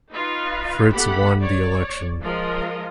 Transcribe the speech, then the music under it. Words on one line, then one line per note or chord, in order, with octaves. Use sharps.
Fritz won the election.
D#4 F4 B4
A3 B3 G4 F#5 B5
C#5 D5
F3 G#3 F4 A#4 D#5